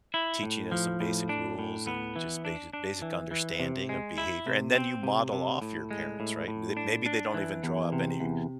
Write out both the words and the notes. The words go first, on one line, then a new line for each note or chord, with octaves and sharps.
teaching us some basic rules and just basic basic understanding of behavior? And then you model off your parents, right? They maybe they don't even draw up any
E4
A2
F3
A2
D4
A2
B3
E3
D4
D4
E3
E3
C3
G#3
E4
C3
C4
C3
C3
A2
G#3
A2
A2
D4
D4
E3
E2
C3
E2